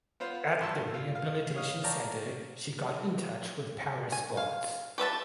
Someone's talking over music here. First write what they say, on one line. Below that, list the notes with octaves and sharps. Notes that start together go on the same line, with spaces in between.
At the rehabilitation center she got in touch with para sports.
B3 F4 C5
G#1 G2 A5 E6
F4
F5
C#5 D#5 F5
C#5 D5 F5 G5 A5 A#5
G#5
F5
G4 B4 E5 A5